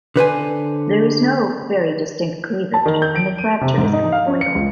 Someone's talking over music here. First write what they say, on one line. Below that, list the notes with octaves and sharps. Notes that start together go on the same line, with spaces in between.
There is no very distinct cleavage and the fracture is conchoidal.
D3 B4 C5 G#5
A5
D#3
G6
D7
D#7
C3
G#2
D#4
F5
C#4
C#7
C#2